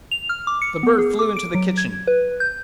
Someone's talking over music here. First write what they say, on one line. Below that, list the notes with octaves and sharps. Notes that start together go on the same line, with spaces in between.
The bird flew into the kitchen.
F7
F6
D6
C#7
B3
G#4
D6
D7
F#3
G#6
B4
G6